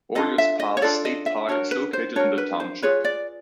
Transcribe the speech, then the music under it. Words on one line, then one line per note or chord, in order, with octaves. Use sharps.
Warriors Path State Park is located in the township.
D4 F4 A4 D#5
E5
D#5
C#5
D4 F4 A4 D5
D#5
E5
D4 F#4 A#4 C#5
B4
C5
D4 F#4 A#4 C#5
B4
C5
F4 G#4 B4 C#5
D5